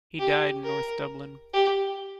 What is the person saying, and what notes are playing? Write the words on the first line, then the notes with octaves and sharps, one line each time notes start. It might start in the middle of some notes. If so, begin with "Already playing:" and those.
He died in north Dublin.
G4
A#4
G4